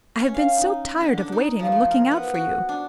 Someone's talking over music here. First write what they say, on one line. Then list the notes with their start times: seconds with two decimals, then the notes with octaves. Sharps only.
I have been so tired of waiting and looking out for you.
0.20 C#4
0.34 F5
0.57 D#4
1.01 D3
1.18 D4
1.32 D#4
1.59 F3
1.72 A3
1.91 A#4
2.11 B3
2.34 F#4
2.69 D4